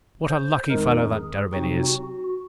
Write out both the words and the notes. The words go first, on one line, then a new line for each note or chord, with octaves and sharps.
What a lucky fellow that Derebin is!
C5
F2 D#3 G#3 D#4 A#4
G#4
C3 F#3 C4 D#4 F#4
F#4